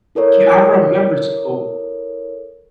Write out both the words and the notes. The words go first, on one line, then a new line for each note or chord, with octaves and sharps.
Yeah, I remember so
E4 A4 A#4 C#5